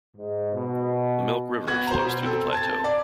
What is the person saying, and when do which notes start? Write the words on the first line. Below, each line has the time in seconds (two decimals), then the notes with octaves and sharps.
The Milk River flows through the plateau.
0.17 G#2
0.53 B2
1.67 B3 F#4 G#6 F#7
1.87 C5 A#5
2.05 B2
2.23 C4 A4
2.52 A5 G#6 A6
2.84 D5